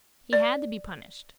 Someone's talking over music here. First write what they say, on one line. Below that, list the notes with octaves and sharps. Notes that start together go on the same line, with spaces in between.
"He had to be punished."
D5